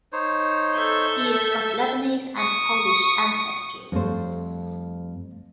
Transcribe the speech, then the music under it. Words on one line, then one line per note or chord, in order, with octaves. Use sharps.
He is of Lebanese and Polish ancestry.
D#4 C5 C#5
A4 E5 G6
A5
C#6 D#6
F2 G3 A3 C5